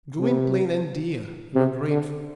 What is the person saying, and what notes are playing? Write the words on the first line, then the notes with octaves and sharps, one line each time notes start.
Gwynplaine and Dea were grateful.
C3
C3
D3